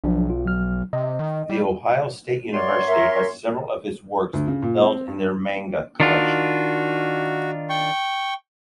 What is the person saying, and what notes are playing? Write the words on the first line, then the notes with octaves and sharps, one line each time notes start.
The Ohio State University has several of his works held in their Manga Collection.
B1 F3 F#3 D4
F4
F#3 F6
C3 D#5
D#3
G3
F#2 C#5 D5 C6
A#4 E5
D2
C#3
A#2
C4
G2
D#3 D4 F4 F#4
G5 C#6